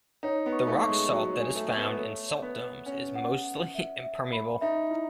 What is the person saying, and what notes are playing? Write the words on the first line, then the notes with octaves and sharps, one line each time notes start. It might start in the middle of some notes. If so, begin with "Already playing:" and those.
The rock salt that is found in salt domes is mostly impermeable.
D#4 C#5
B3
C#6
A3
C#6
G#3
F#3 C#5
F#3
G#5
A3
C#6
B3
A3 C#5
C#5
B3
F#5
C#4 F#5
F#5
F#5
E5
E5
B5
D#4 E5
E4